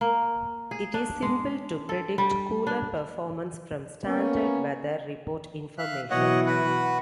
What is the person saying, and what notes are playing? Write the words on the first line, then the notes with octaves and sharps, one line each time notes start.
It is simple to predict cooler performance from standard weather report information.
A#3
G#4
D4
G#3
A4
G3
D4
A#3 B3 C#4
E5 F5 F#6
B2 E3 F#3 C#5 D#5 F#5
F#4 B4 F#5